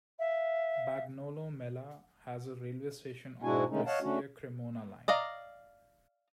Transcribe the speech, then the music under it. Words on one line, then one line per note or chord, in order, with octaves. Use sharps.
Bagnolo Mella has a railway station on the Brescia-Cremona line.
E5 F5
G#2 G#3 D4 E4 F#4 G#5
D3 D#3 G#3 A3 C#4 D#4
C#5 D#5 F5 F#5 A5
A3 C#4 D4 F#4
D5 D#5 F5 A#5